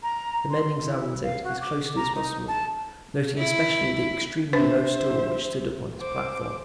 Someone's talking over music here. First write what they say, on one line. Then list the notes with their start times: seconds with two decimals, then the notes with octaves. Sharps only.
The men examined it as closely as possible, noting especially the extremely low stool which stood upon its platform.
0.03 A#5
0.50 C6
0.85 E4
1.23 F5
1.44 F#4
1.61 D6
1.96 A#5
2.15 D#4
2.48 A5
3.38 E4
4.53 D4 B4 C5 E5
5.98 C5 D6